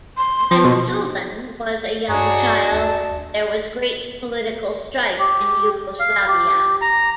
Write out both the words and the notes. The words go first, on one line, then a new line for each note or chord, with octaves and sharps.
When Suvin was a young child, there was great political strife in Yugoslavia.
C6
F3
B2
G2 D4 D#4 F#4 G#4 C#5
D#2 A5
G4
F5
G4
A#5